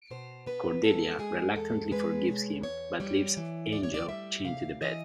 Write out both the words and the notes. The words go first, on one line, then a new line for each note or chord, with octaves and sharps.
Cordelia reluctantly forgives him, but leaves Angel chained to the bed.
B2 C5
B3 B4
G#3 A4
G#3 G#4
E2 A4
G#3 B4
B2 C#5
E2 C#5
G3 C#5
E3
D2 D5
C#5
D5
G3 E5
C3 F5
E3 D#5